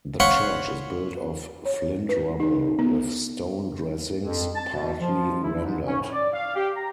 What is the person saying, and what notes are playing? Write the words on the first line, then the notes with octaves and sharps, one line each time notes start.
The church is built of flint rubble with stone dressings, partly rendered.
C#5 F5 F#5 B5 C6
C#5
B4
D#4
B3
F2
A5
B2
F3
E4
G#2
C#4
A2
D5
F5
G4
A#5